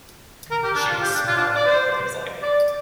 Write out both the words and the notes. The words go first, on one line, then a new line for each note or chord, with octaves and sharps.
She was small and quick as lightning.
A#4
G4
D4
F4
G4
D4
F4
D4
D5
C5
D5